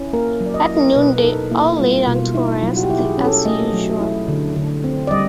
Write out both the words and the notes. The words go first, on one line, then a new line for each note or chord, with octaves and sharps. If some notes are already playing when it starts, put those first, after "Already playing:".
At noon they all lay down to rest as usual.
Already playing: C#4 E4
A#3 A#4
F#3
D5
D#5
E4
A#4
B2 B4
A4
D#4 A#4
A#3 E4
G3 F4
B2 F4
D#4 E4
F#3 F4
F#4
G4
E4
G#4
C#4
A4
A3 D#5
F#3
E4
D3
D3
C4
D5
G3 D#5